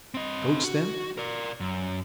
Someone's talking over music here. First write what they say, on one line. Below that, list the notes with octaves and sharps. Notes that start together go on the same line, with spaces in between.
Goats, then?
C4 D#5
F#4
A#4 D5
F#2